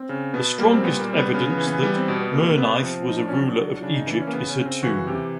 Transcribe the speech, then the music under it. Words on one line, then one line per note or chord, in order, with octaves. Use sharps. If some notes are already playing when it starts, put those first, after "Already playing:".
The strongest evidence that Merneith was a ruler of Egypt is her tomb.
Already playing: C4
C#3
B2 B3
G3 A#3
C4
A#2 B3
A#3
G3
C4
B3
C#3 B3
B3
E3
B3
G3 B3
C4
B2 B3
B3
C3 A#3
C3 B3
F3 C4
F3 D#4
D4
C#4
F#3
D4
F#3
C#3 D4
D#4
E3 D4
C#4
A#3
C#3 B3
C#4
C#3
C4
E3 F#4
C3 G4